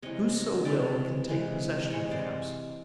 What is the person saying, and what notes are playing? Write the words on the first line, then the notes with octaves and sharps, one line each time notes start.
Whoso will can take possession of the house.
C3 E3 G#3 C#5 D#5
C3 E3 G#3 D5 E5
C3 E3 G#3
C3 E3 G#3 C#5 D#5
C5 D5